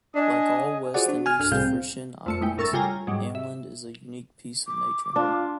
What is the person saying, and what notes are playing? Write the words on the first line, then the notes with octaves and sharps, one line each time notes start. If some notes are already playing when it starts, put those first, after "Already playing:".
Like all West and East Frisian Islands, Ameland is a unique piece of nature.
D4 D#5 G#5
F4 F#4 G#4 C5 D5 F#5
D4 F#4
G#5 F6 G#6
C2 G2 D4 F#4 A4 F6
C2 A2 C4 G#4 F5 G6
C4
F2 A3 C#7
G#3 E4 G5
G1 A2 A#4 C#6 E6 A6
C#3 G3 F4 G5 G#5 A#5
G#2 F#3 G3
E5
D6
D4 F4